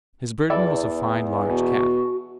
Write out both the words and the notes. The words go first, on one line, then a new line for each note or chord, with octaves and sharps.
His burden was a fine large cat.
E2 E4 A4 D5
B2 F#4